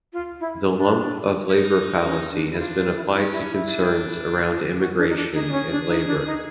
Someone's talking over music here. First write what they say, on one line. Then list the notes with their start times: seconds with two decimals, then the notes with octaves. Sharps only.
The lump of labour fallacy has been applied to concerns around immigration and labour.
0.13 F4
0.40 E4
0.76 D4
1.50 D#4
2.05 C#4
2.32 D4
2.51 E4
2.59 D4 F4
2.77 F4
2.95 E4
3.10 E4
3.14 C#4 D#4
3.32 E4
3.51 E4
3.69 D4
4.79 F#4
4.98 D4
5.10 D#4
5.16 D4
5.34 D#4 G#4
5.48 D4
5.52 C#4
5.71 D4
5.88 D#4
6.06 D4
6.26 D#4